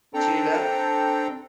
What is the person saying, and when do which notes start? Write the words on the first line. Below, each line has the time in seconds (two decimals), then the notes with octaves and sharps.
Chewed up.
0.14 C4 D4 A4 G5 A#5